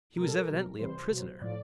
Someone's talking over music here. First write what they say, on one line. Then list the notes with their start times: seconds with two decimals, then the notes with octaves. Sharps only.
He was evidently a prisoner.
0.17 B2 A#4
0.21 G3 A4
0.33 A#4
0.48 B2 F#3
0.79 C3 E3 G3 C5
1.11 B2 F#3
1.41 A2 F3 D5